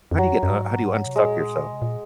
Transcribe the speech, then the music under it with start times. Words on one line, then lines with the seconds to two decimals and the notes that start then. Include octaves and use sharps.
How do you get uh, how do you unstuck yourself?
0.11 F2
0.18 F#2 F#3
0.25 F2
0.43 F#2
0.50 G#2
1.06 C3
1.16 A#2 G#3
1.72 C3
1.82 A#2